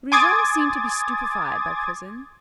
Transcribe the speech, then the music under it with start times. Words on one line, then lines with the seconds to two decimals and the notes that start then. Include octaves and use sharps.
Brujon seemed to be stupefied by prison.
0.12 G#5 C6 D6 D#6 G#6 A6